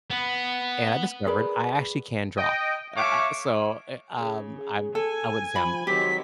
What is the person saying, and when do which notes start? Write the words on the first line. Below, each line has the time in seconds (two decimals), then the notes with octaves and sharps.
and I discovered I actually can draw, uh, ah, so, eh, um, I I wouldn't say I'm,
0.10 B3
1.27 G#4 A#4 B4 D5
2.38 D#5 G5
2.96 A3 F#4 C#5 E5 F5 D6
4.18 C#3 G#4
4.95 A4 G#5
5.56 F3 B5
5.87 D#3 F#3 G#3 C4 G4 B6